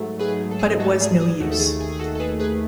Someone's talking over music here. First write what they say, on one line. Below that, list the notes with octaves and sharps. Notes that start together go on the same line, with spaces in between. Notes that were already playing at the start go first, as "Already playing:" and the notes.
But it was no use.
Already playing: G#2 F#3 A3
G#4 B4
A4
G#4
F#4 A4
G#4
G#4
D#2 D#3 A3 F#4
A4
G#4
G#4
G#4
F#4 A4
A4
G#4 B4
G#4 B4